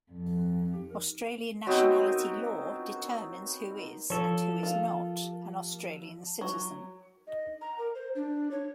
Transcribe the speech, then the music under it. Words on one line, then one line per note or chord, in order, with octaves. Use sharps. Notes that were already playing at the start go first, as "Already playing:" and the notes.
Australian nationality law determines who is and who is not an Australian citizen.
F2
F#3 B3 C4 D#4
F3 A4 C#5
F4
F#3
D#5
A#5
A#4
C5
D4
C#5